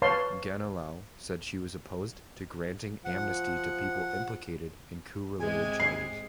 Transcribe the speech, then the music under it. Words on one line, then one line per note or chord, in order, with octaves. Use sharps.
Ganilau said she was opposed to granting amnesty to people implicated in coup-related charges.
B4 C#5 F5 A5 C6
F3 F#5
G#2 C3 G#3 G#4 G#5
C7